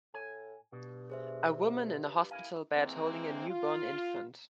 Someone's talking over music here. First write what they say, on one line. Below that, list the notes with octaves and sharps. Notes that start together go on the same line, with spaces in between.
A woman in a hospital bed holding a newborn infant.
A2 G#5
G2 B2
G#4 C5 E5
E4 A#4 F5 G#5
C3 E3 G#3 A#3 C4
F4